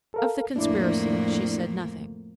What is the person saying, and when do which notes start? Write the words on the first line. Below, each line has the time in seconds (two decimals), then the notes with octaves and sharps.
Of the conspiracy she said nothing.
0.14 A4 A#4 F5
0.56 F2 A2 A#3 D4 E4 D5